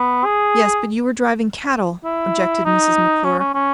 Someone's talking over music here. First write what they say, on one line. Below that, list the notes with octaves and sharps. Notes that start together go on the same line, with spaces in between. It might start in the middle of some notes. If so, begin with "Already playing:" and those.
"Yes; but you were driving cattle," objected Mrs. McClure.
Already playing: B3
G#4
E4
D#4
C#4
C#4
C#4